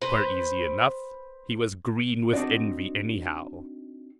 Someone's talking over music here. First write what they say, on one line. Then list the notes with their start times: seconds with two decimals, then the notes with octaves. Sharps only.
Twere easy enough; he was green with envy, anyhow.
0.01 B4 C5
2.33 C4 D4 D#4 F#4 D5